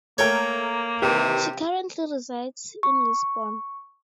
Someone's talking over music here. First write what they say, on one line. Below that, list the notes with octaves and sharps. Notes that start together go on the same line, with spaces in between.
She currently resides in Lisbon.
A3 A#3 A4 A#4 C#5 G5
C3 D#3 E3 G4
C#6